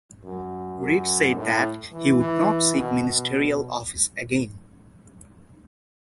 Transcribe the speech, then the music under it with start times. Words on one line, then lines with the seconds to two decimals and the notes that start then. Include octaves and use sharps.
Reed said that he would not seek Ministerial Office again.
0.24 F#2
0.80 F#2
1.36 A2
1.92 E3
2.19 E3
2.75 B2
3.04 B2